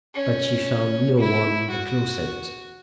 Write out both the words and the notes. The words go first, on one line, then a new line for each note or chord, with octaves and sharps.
But she found no one in the closet.
C#4
E4
F#4